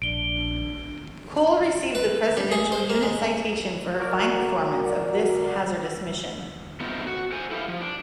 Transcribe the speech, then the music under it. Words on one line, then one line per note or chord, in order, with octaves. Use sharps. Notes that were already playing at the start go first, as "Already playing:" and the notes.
"Cole" received the Presidential Unit Citation for her fine performance of this hazardous mission.
A#1 D4 D7 G7
B4
G3
G#4
C5
A#3
G#3
F#4 A#4 D5
A3 B3 C4 D#4 F4
F#4
A4 C5 G#5
E4 G4 B4 F5
F3
D4